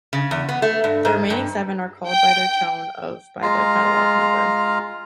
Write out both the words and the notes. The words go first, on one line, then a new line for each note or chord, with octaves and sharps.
The remaining seven are called by their tone of by their catalog number.
C#3
E2
B3
A3
G2
G#2
G2
G5
G#3 F4 F5 A#5 F6